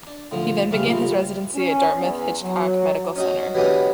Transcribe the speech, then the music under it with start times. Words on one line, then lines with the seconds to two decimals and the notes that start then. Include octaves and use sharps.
He then began his residency at Dartmouth Hitchcock Medical Center.
0.07 D4
0.31 A2 D3 F3
0.71 A1 C#3 G3 A3 F5
0.86 A#1 C3 F3 B5
1.54 C#4
1.99 E2
2.43 F#3
3.16 C#4 D#4 F#4
3.55 E3 F#3 G3 B3 D4 D#4